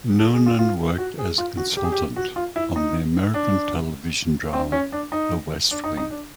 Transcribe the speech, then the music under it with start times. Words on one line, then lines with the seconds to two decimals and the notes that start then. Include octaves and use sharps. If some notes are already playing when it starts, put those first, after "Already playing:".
Noonan worked as a consultant on the American television drama "The West Wing".
0.19 A4
0.33 G#4
0.46 F4
0.59 F4
0.98 F#4
1.19 G#4
1.38 F4
1.57 F#4
1.77 G4
1.84 G#4
1.92 G4
2.16 F#4
2.36 F4
2.56 E4
2.76 D#4
3.34 D4
4.53 C4
4.72 C#4
4.92 D4
5.12 D#4
5.71 D4
5.84 D#4
5.97 D#4
6.11 D4